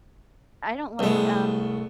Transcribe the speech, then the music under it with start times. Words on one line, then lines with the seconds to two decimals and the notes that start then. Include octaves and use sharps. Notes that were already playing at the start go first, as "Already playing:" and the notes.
I don't like, um,
0.99 C2 G#3 A3 B3